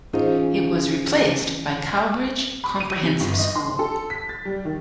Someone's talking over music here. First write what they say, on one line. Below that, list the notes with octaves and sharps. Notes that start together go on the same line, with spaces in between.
It was replaced by Cowbridge Comprehensive School.
E3 C#4 D#4 F4 G#4 C5
B5
D#7
C3
G1
D#5
C6
A4
B6
A6
G3
D#3